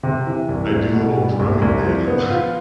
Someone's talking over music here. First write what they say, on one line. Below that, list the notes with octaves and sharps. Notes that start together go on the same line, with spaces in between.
I do the little drumming thing on my
C3
E3
C2
C2
B2
G3
C2
C2
F3
B3
F4